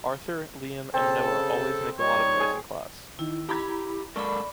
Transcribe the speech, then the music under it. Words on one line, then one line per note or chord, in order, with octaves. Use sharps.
Arthur, Liam and Noah always make a lot of noise in class.
C#3 C4 A4 A5
G3 D#4 C#5
G#4
D#3 E4
G4 A#5 B5 G#6
G#3 A4 A#4 D5 B5 C#6 D6